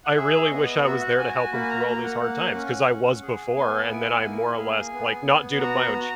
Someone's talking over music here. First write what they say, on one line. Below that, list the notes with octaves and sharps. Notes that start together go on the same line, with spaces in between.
I really wish I was there to help him through all these hard times 'cause I was before, and then I more or less like, not due to my own,
F#5
G#4 E5
C#5
B3 D#5
F#4 E5
E5
F#5
F#4 G#5
G#5
A#3 B5
G#5
A#5
B5
A#3 A#5
F#5
A#3 F#5
C#4
C#4
G#4
B3 G#5
E4
A#3
G#4
B3
B3
F#4 A#5
F#4